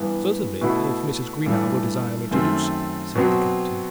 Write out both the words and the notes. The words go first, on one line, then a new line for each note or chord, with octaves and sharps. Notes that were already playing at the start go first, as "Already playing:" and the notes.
"Certainly, if Mrs. Greenow will desire me to do so," said the Captain.
Already playing: G2 E3 B3
B2 A3 E4
G2 E3 A3
F#2 D#3 A3 C4
B2 F#3 C4 F#4